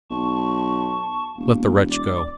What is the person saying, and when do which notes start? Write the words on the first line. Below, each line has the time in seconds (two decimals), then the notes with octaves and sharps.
Let the wretch go.
0.10 B1 A5 C#6
1.37 E1 A#3
1.91 D5 D6